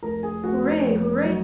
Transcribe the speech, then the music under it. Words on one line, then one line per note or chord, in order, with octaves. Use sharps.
Hooray! hooray!
F1 A#4 A#5
G#4 G#5
F1 F#4 F#5
C5
F2 C#5
F#3